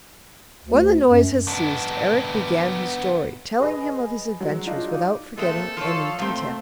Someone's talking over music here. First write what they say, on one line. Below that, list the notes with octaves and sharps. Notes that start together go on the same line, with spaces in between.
When the noise had ceased, Erec began his story, telling him of his adventures, without forgetting any detail.
D2
F#2
B3 D4
G#4 B4 D#5
F#3 G#3
D4 D#4 F4
D#4 D5
A#2 G#3 A3 C4 A4
F3 C#5 F5
A#2 A3 C4